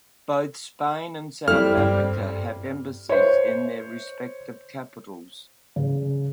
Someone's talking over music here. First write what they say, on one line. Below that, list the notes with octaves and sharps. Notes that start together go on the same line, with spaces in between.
Both Spain and South Africa have embassies in their respective capitals.
G3 C4 E4 A4 F6
G2 C4
C5 C#5
C#3